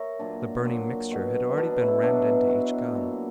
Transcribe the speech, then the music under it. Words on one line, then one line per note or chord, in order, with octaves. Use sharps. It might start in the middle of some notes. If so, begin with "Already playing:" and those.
The burning mixture had already been rammed into each gun.
Already playing: A#4 C#5 E5
A#2 F#3 D4
A#2 F#3
B2 F#3
B2 F#3 D4
E4
B2 F#3 D4
B2 F#3
A#2 F#3